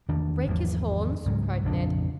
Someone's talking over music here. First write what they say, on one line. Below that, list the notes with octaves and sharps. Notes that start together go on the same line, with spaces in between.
"Break his horns!" cried Ned.
E2 D#3 D4
G#1 E2 F3 A#3
C#2 G#2 F#3
A#1 F2 C#3 D4